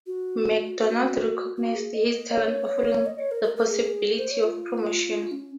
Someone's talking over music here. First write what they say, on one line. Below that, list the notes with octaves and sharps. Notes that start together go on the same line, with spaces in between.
MacDonald recognised his talent offering the possibility of promotion.
F#4
F#4
F#4
G#4
D#5
C#5
D#5
C#5
A#4
A#4
A#4
G#4
C5
C#5
F4
C#4